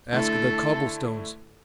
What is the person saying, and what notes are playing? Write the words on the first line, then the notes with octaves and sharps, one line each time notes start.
Ask the cobble stones.
D3 A3 E4 A4